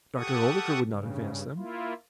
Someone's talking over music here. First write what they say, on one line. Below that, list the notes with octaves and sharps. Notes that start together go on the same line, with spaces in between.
Dr. Oldacre would not advance them.
G4 A4 F#5 C#6 D#6
G2 C#3
A#3 E4 F4